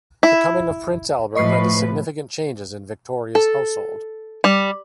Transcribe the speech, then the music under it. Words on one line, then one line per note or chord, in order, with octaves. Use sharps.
The coming of Prince Albert led to significant changes in Victoria's household.
E4
A2 F3 B4 D#5 C#6 C7
A4
G3